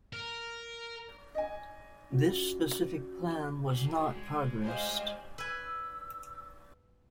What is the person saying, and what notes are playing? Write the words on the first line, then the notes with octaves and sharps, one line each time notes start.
This specific plan was not progressed.
A#4
D#5 G#5
C#4 F4 F#4
F#4 G#4
G#3
G4 C5 D#5 F5 G#5
B4 G#5 E6